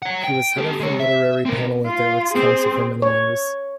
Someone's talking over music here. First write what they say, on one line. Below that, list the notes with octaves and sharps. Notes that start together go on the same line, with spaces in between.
He was head of the literary panel of the Arts Council for many years.
C#5 F#5
G5
G4 A4
G#3 C#5
E5
C4 A#4
F4
C4 G#4
C#5